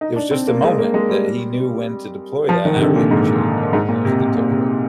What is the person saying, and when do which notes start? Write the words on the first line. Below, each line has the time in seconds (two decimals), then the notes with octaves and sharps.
it was just a moment that he knew when to deploy that, and I really appreciated that, it was a good takeaway.
0.01 D#4
0.16 D4
0.31 C4
0.47 A#3
0.63 G#3
0.78 A#3
0.94 G#3
1.09 G3
2.49 F3
2.65 D#3
2.76 C3
2.81 D3
2.96 A#2
3.11 G#2
3.73 G#2
3.89 A#2
4.05 C3
4.20 C3
4.35 A#2
4.51 C3